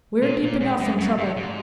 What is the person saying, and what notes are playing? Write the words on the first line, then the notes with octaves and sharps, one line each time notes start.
We're deep enough in trouble.
A#2
A#2
G#2
F#2
F#2
G2
G#2